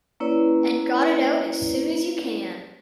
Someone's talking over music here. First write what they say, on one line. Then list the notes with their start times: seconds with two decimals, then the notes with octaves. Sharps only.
And got it out as soon as you can.
0.20 A#3 C#4 E4 B4 C#5 D5